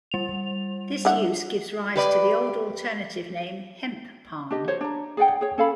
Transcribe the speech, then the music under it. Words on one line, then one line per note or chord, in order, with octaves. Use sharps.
This use gives rise to the old alternative name "hemp-palm".
G3 F7
D3 E3 F#5
G4 B4 D5
D4 G4 D#5
F#4 C5 C#5
D4 A#5
G#4 D5 F#5 G5
G#4 C#5
C#4 A4 F5 B5